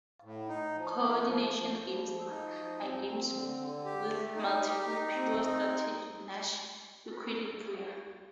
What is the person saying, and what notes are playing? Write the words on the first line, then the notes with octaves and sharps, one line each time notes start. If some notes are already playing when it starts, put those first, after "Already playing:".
Coordination games are games with multiple pure strategy Nash equilibria.
A2
D#4
F3
A3
F3
F3
F3
F3
D#4
F3
C4
C4
D3
D3
G4
A3
D#4
G4
D#4
C4
D#4